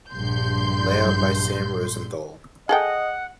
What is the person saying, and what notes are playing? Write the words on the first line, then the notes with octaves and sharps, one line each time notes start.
Layout by Sam Rosenthal.
A#1 G2 C6 G6
G#4 A4 D#5 F#5 G5